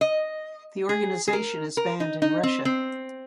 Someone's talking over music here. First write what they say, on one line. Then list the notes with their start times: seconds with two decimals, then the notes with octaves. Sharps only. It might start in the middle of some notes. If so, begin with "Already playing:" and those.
The organisation is banned in Russia.
0.01 D#5
0.89 G#4
1.28 G#4
1.33 A#4
1.77 A#4
2.00 D#4
2.22 D#4
2.43 C4
2.65 C4